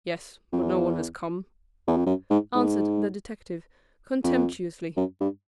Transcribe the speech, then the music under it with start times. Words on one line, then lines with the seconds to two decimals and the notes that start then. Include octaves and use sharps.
"Yes, but no one has come," answered the detective, contemptuously.
0.53 F2
0.63 E2
1.87 E2
1.97 F2
2.06 F#2
2.30 G#2
2.55 G#2
4.24 F2
4.97 F#2
5.21 G2